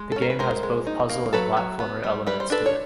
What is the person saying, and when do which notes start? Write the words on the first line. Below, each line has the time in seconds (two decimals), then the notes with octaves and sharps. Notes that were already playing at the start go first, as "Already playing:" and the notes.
The game has both puzzle and platformer elements to it.
Already playing: G#3
0.12 A4
0.16 C#4
0.22 A#4
0.30 B4
0.39 G#3 A#4 C5
0.63 G#3
0.87 D#4
1.09 A#3
1.33 F#3 A4 B4
1.57 F#3
1.80 B3
2.04 G3
2.27 G3 B4
2.40 C5
2.50 D4 A4 B4
2.66 C#5